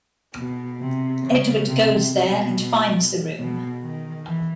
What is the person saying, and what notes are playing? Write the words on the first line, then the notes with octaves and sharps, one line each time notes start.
Edward goes there and finds the room.
B2
C3
C#3
C3
B2
B2
D#3
E3